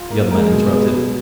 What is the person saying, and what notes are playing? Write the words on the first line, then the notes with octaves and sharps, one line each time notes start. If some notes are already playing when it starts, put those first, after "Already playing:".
The other man interrupted.
Already playing: F4
A#3
G#3 A#4
B2
B3
F#3